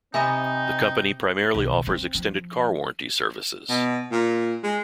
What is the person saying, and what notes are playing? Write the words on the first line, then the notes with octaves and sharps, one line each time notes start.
The company primarily offers extended car warranty services.
C3 C4 D#4 E5 G#5 A#5 B5 D#6
B1 D#3
C4
F3
B2
A#2
G#3